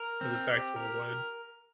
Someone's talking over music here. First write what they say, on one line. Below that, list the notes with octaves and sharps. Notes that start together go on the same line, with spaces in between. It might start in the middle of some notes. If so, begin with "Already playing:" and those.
'cause it's actually wood.
Already playing: A#4
C4
G4
A#4